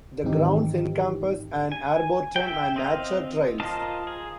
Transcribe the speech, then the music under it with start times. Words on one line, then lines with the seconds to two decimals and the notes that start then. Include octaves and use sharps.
The grounds encompass an arboretum and nature trails.
0.24 G#2 D#3 E3 C4 D#4 G4
1.72 G#5
2.36 E5 G5
2.76 C4 D#5 F5
3.60 F4 A#4 C5 D#5 A5
4.07 G#4